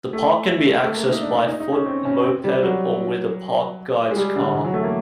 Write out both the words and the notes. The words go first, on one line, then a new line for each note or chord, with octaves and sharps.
The park can be accessed by foot, moped or with a park guide's car.
A3
G#3
A3
A#3
D#4
D4
D4
D#4
D#4
C#4
C4
C#4
C4
G3
F#3
G#3
G3
D3
E3
F#3
A3
A#3